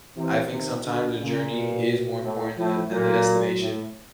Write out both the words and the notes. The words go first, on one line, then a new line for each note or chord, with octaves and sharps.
I think sometimes the journey is more important than than the destination,
C3 E3
C3 D#3
B2 D3
A#2 C#3
B2
A2
A2 F3
A#2 F#3
A2